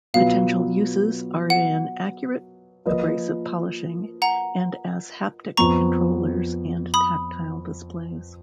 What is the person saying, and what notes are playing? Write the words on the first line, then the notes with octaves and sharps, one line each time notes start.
Potential uses are in accurate abrasive polishing and as haptic controllers and tactile displays.
B2 F#3 B3 F4 F5
F#5
F3 A#3 F4 B4 D#5
F#5 A#5
F2 F3 B3 A#5 C#6
B5 D#6